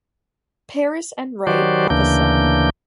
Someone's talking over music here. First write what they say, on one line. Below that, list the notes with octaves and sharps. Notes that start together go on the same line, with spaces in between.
Paris and Wright have a son.
D#3 F#3 F#4 G4 C5 D5
D2 C#3 E3 A#3 D4 G6